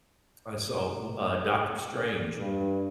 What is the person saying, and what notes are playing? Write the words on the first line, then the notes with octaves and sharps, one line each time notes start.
I saw, wh uh, Doctor Strange
G2